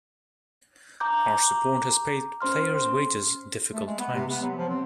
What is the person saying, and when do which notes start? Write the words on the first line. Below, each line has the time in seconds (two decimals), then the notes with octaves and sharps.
Our support has paid players' wages in difficult times.
1.00 A#5 D6 G6
2.41 C#4 C5 C6 F6
3.73 A3
3.86 G#3
3.99 B3
4.14 C3
4.30 B3
4.42 F#3
4.57 F3
4.69 C4